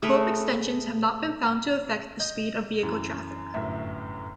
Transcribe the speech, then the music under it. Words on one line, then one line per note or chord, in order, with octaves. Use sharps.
Curb extensions have not been found to affect the speed of vehicle traffic.
A3 G#4 A#4 B4
D#5 G6
F#2 E3
G1 F#2 A2 E5